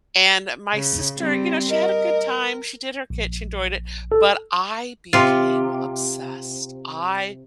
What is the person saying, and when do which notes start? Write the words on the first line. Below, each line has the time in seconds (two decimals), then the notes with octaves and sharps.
and my sister, you know, she had a good time, she did her kit, she enjoyed it, but I became obsessed. I
0.73 C#3
1.17 G3 C4
1.70 A#4 D#5
3.10 A#1
4.12 A4
5.13 C3 F4